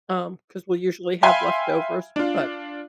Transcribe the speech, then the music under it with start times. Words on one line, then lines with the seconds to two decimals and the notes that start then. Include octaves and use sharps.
um, 'cause we'll usually have leftovers. But
1.23 E5 F5 G5 G#5 B5 C6
2.16 D4 F4